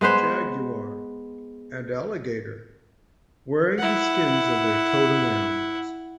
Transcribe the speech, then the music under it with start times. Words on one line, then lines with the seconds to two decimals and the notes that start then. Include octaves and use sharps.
"Jaguar" and "Alligator," wearing the skins of their totem animals.
0.01 G#3 B3 B4 C5
3.78 E4 F#5